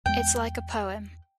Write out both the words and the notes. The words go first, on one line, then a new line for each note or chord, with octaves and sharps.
It's like a poem.
E2 G#3 G5